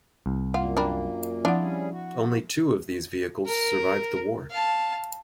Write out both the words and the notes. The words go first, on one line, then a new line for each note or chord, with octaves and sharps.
Only two of these vehicles survived the war.
C2
F#2 A#2 A#3 F4 F#5
D4 A#4 G5 B5
F3 C4 D4 E4 F4 F#5
G3 C#4 G#4
F#4
A#4
F5 A5